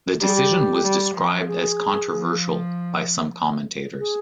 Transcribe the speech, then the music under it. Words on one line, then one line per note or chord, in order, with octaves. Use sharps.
The decision was described as controversial by some commentators.
G3 G4
G#4
G4
G3
F3
A4
G#4
F3
G#4